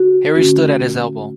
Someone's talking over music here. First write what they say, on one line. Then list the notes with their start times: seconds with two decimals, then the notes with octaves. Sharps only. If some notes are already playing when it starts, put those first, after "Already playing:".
Harry stood at his elbow.
Already playing: D3 F#4
0.35 D3 A3 C#4 F#4